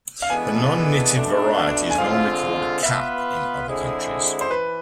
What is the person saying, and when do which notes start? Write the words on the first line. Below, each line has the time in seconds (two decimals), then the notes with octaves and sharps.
The non-knitted variety is normally called a "cap" in other countries.
0.22 F5
0.29 E3 G#3 B3 D4 A4 G#5
1.14 B2 A3 D4 A4
1.90 G#5
1.98 D3 G#3 C4 F4 F5
2.82 B3 F4 B4 E5
3.67 D3 G#3 C4 E4 G#4
4.41 C5
4.51 E3 B4